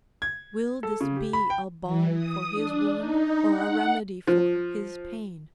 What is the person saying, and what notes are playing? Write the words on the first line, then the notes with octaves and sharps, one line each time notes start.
Will this be a balm for his wound or a remedy for his pain?
G#6
A4
C#3
G4
B5
G5
E3
D#6
D4
D#4
F#5
F3